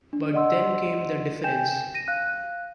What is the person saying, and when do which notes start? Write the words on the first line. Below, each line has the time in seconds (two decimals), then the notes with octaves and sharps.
But then came the difference.
0.13 D4
0.33 D5 D#5 F#5 C6 E6
1.44 G5 G#5 G6 E7
1.94 A#6 D#7
2.08 F5 F#6